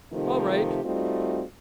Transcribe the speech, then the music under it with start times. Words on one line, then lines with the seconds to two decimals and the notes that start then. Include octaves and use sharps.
All right.
0.12 C3 D#3 F3 A3 D#4 G4
0.84 G3 A3 C4 D#4 F4 F#4